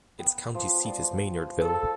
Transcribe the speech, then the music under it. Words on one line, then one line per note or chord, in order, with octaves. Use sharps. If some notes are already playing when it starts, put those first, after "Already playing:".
Its county seat is Maynardville.
B3 G5
F3
F3 G3
A4